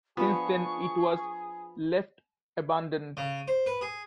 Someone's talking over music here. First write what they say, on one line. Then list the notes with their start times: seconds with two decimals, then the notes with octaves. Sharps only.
Since then, it was left abandoned.
0.17 F3 B3 D4 G#4 C#6
3.17 C#3
3.48 C5
3.66 B4
3.81 G#4